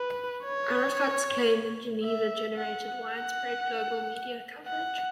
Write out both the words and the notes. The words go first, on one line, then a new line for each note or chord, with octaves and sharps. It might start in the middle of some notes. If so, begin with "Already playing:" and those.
Arafat's claims in Geneva generated widespread global media coverage.
Already playing: B4
C#5
E5
F#5
F#5
F#5